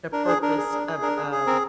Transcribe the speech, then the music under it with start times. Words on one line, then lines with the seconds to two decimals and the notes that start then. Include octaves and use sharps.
the purpose of, um
0.12 D4 A#4
0.27 G#4
0.42 D4 A#4
0.57 G#4
0.72 D4
0.87 G#4
1.02 D4 A#4
1.17 G#4
1.32 G#4
1.47 C4 A#4